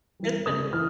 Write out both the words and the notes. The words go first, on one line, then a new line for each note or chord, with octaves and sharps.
It's been
E3 G3
C#3 D#6
E3 F6